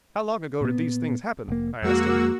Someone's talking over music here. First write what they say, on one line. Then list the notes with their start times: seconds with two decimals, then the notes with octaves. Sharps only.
"How long ago did these things happen?" I asked him.
0.61 A#2 B3
1.49 F1 A#3
1.82 F2 G#3 A#3 F#4 E6